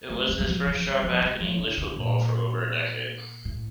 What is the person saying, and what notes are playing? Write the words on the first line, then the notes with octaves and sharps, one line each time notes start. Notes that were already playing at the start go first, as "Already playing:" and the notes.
It was his first job back in English football for over a decade.
A3
G3
G3
F3
F3
G3
F3
G3
F3
D3
D3
A#2
A2